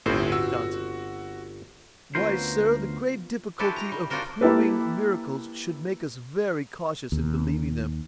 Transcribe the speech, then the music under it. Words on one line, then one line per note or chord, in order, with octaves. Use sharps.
JOHNSON. 'Why, Sir, the great difficulty of proving miracles should make us very cautious in believing them.
G1 D2 A2 C4 C5
F#4 E6
D2 B3 C#4 F4 A#4 C5
G#3 D4 E4 F#4 G4 A4
A#5
G3
D4 D#4 F4 F#4 A#4 C5
A#3 E4 G4 A4 B4
D#2